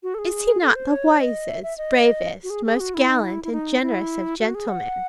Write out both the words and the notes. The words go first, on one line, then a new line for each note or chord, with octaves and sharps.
Is he not the wisest, bravest, most gallant and generous of gentlemen?
F#4
A4
G#4
A4
C5
C#5
D#5
E5
E5
D#5
F#4
G#4
G#4
F#4
E4
D#4
E4
E4
D#4
E4
F#4
G#4
F#5